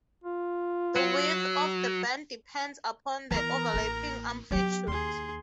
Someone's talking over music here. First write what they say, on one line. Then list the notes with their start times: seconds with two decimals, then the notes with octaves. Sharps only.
The width of the band depends upon the overlapping amplitude.
0.24 F4
0.96 F#3
3.31 E3 B3 A#4 A#5
3.73 A1 A#3
4.51 F#3 B3 G4
4.88 D#2 G#4 C6